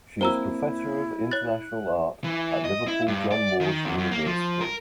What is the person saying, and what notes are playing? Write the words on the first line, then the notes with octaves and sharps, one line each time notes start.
She is Professor of International Art at Liverpool John Moores University.
A#3 C4 E4 C5 A#5 E6
C#5 F#6 A6
E3
D#5
E4
G2
D5
D#3
E2
F#2
A#3
F3
A#4